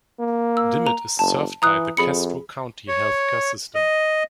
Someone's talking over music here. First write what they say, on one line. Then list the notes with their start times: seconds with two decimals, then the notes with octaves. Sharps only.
Dimmitt is served by the Castro County Healthcare System.
0.20 A#3
0.57 E6
0.87 A#5
1.19 F#1 A5
1.62 E3 A#5 D#6 F#6
1.97 F2 G#4 B5 C#7
2.88 C#5
3.75 D#5